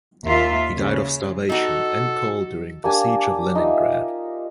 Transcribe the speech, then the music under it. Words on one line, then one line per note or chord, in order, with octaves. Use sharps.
He died of starvation and cold during the Siege of Leningrad.
D#2 F4 E5
C#3
D#4 F#4 A4
A#3 D4 G4 G#5
D#4 F4 E5